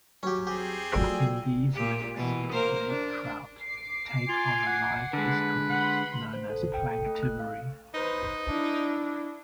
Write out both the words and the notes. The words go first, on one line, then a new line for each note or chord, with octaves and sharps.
In these lakes, lake trout take on a life history known as planktivory.
F#3 C#4 G4
C4 G4 G#4
F3 F#3 A3 D5 G5 E6
A#2 G4
B2 E3
A#3 A#4 C5
D4
D6 C7
F4 G#5
F#5
D3 G#3 B4
F#5 B5 C6
C5
A4
G5
A4
A3
F#6
F5
D#4 B4 C5
D4 E4